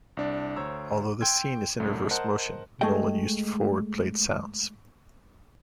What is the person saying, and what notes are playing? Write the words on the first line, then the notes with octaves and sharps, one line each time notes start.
Although the scene is in reverse motion, Nolan used forward-played sounds.
C2 D4 D5
D2 C5 C#5 A#5 E6
G5 C6 E6 G#6
C2 F#2 A3
A#4 C5 D#5 F#5 A5 F#6
G#3 A3 G#4 A4 D#5 G5